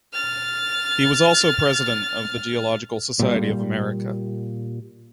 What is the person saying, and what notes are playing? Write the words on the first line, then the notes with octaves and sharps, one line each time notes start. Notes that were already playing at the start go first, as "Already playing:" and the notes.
He was also President of the Geological Society of America.
F6 A6
A#2 G3